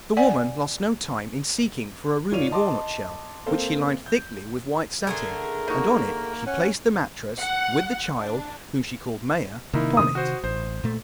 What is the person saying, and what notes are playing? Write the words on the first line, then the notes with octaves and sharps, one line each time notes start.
The woman lost no time in seeking for a roomy walnut-shell, which she lined thickly with white satin, and on it she placed the mattress, with the child, whom she called Maia, upon it.
D5 F#5 G#5
G#1 F4 C#5 D5 D#7 F7
D#5 A5 C6 D6
A#3 C4 A4 C5 F5
G6
D3 A3 G#4 A#4
A#3 D#4 F#4
C#4 F#5
F#5
D4
C3 D#3 A#3 D#4 E4
D#6
F#4 C5
A1 C5
A#2 A3